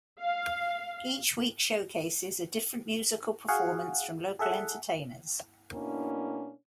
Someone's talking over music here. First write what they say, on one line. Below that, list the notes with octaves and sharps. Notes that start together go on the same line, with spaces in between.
Each week showcases a different musical performance from local entertainers.
F5
F#4 G#4 F5 F#5
G#4 A4 E5 F#5
B2 A#3 C#4 D4 E4